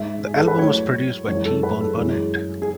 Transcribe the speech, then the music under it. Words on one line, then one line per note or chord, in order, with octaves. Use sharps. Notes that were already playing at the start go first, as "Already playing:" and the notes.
The album was produced by T-Bone Burnett.
Already playing: G#2 G#3 E5
G#4
A4
B4
A2 F#3 A3 C#5
F#2 E3 G#3 C#5
A4
B4
A4
F#2 E3 G#3 G#4
G#4